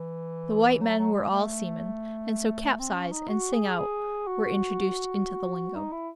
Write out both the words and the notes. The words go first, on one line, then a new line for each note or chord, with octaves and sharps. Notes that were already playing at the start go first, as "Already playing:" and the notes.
The white men were all seamen, and so capsize and sing out were introduced into the lingo.
Already playing: E3
F#3
F#3
G#3
A3
C4
C#4
D#4
F#4
G#4
G#4
F#4
D#4
E4